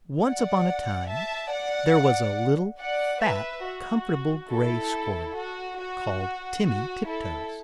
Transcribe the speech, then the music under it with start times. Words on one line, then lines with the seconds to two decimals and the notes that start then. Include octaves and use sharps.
Once upon a time there was a little fat comfortable grey squirrel, called Timmy Tiptoes.
0.24 D5 F#5
1.09 E5 A5
1.52 D5 F#5
2.80 D5 F#5
3.22 B4 E5
3.66 F#4
4.50 E4 A4
5.36 F#4
5.78 F#4
6.64 F#4
7.06 E4 A4